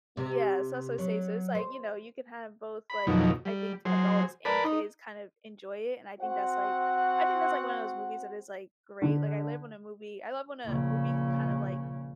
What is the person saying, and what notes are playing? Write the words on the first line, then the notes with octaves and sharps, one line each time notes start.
Yeah, so so say so it's like, you know, you can have both like, I think adults and kids kind of enjoy it, and I think that's like I think that's like one of those movies that is like great, like, I live when a movie I love when a movie can kind of like
C3
F#3
C5
B5
F2 B2 D#3 F#3
G3
F#3 G#4 C5
A#4 B4 D5 A5 B5
D#4
C4 F#4 F#5
D3
A#1 C#3